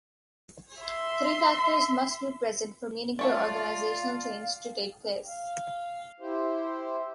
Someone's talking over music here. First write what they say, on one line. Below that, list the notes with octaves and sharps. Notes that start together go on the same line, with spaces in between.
Three factors must be present for meaningful organizational change to take place.
E5 C6
A3 F4 C#5 D5 F5 A5
F5
E4 G4 C5